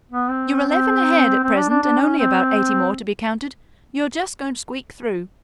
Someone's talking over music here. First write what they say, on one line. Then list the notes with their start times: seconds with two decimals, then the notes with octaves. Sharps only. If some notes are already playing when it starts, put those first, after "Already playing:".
"You're eleven ahead at present, and only about eighty more to be counted; you're just going to squeak through."
0.12 B3
0.30 C4
0.68 C4
1.44 C4
1.57 D4
1.69 D4
1.82 D4
2.01 C#4
2.19 C4